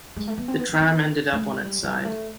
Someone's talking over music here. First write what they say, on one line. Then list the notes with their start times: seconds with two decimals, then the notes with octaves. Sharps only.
The tram ended up on its side.
0.16 G#3
0.28 A3
0.38 B3
0.48 C4
0.59 B3
0.69 B3
0.80 C4
0.90 B3
1.01 A#3
1.33 A3
1.42 G#3
1.63 G3
1.83 G3
2.05 A3